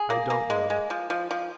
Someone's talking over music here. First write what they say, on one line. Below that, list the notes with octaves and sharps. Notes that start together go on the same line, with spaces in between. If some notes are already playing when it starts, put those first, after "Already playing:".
I don't know.
Already playing: G#4
A#3
A#3
G#3
G#3
F3
F3
F3